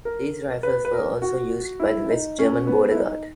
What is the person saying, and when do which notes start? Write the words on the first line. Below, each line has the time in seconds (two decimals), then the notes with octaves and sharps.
These rifles were also used by the West German border guard.
0.05 A#4
0.63 B4
0.85 B4
0.93 A#4
1.22 F#4
1.80 E4
2.09 D#4
2.39 C#4
2.67 B3
2.91 E4
2.97 D#4